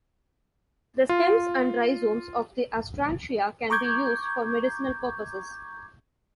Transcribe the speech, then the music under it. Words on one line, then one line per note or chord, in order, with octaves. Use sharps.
The stems and rhizomes of the Astrantia can be used for medicinal purposes.
F4
A#5 C#6 D6 G6 G#6